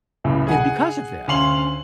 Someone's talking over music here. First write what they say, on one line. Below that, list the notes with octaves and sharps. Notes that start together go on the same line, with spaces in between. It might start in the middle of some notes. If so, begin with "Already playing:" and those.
and, because of that,
C#2 F#2 A2 C#3
G#4 F#5 G#5
D2 C#4 F5 C6 C7 F#7